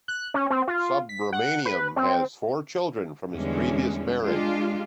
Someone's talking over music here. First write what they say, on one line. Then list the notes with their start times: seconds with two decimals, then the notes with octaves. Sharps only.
Subramaniam has four children from his previous marriage.
0.08 F#6
0.34 C#4
0.50 C4
0.68 F4
1.09 B6
1.33 F#5
1.66 B4
1.96 C4
3.32 E2 D3 E3 G3 G#3 C#4
4.22 G#3 D4 F4 G4